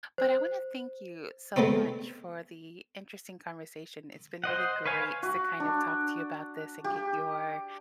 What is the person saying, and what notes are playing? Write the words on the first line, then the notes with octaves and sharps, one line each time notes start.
But I wanna thank you so much for the interesting conversation, it’s been really great to kind of talk to you about this and get your
C5
G#3 A3 B3 C4 D#4
C5 D#5 F#5
B4 C#5 F5 G#5
F#4
D4
G4